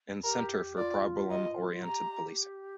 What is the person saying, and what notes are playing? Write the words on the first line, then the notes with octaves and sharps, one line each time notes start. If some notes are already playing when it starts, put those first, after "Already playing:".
In Center for Problem-Oriented Policing.
G4 A#4
F4 D5
D#5
G4 A#5